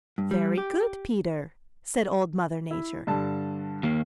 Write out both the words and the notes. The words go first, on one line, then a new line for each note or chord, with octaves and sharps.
"Very good, Peter," said Old Mother Nature.
G2
G3
G4
E4
G2 D3 A5
D#2 A#3